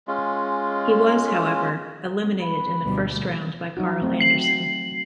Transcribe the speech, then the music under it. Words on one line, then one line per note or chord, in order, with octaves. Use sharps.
He was, however, eliminated in the first round by Karl Anderson.
G#3 C#4 F4
B4
D2 B2 G3
F#3 D#4 F#4
A3 C4
C4 C7 F#7